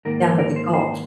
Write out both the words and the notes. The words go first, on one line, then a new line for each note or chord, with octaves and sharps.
down to the Gulf
G#2 D#3 A#3 A#4
A#4
C5
C5